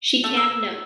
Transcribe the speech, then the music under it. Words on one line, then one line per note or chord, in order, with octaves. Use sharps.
She can't know.
A3
E6